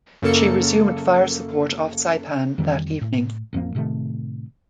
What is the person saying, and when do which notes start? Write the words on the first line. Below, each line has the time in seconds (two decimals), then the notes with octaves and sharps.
She resumed fire support off Saipan that evening.
0.22 F#2 C#3 A#3 A4 C#7
2.58 F2 D#3 E3 G3
3.01 A2
3.53 A1 F2 F3 A#3
3.75 A2 C3 D#3 A3